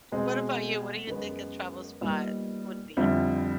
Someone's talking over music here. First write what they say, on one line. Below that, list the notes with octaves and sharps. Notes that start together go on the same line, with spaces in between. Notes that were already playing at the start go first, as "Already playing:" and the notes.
What about you? What do you think a travel spot would be?
B2 G#3 C4
F#2 D#3 G#3 B3
A#2 G3 B3 D#4
F2 D3 G3 C4 E4